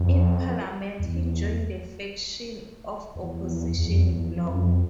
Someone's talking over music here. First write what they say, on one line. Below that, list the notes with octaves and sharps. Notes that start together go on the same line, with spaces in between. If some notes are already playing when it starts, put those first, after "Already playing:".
In parliament he joined the faction of Opposition Bloc.
Already playing: F2
E2
E2
E2
F2
E2
F2
F#2
F2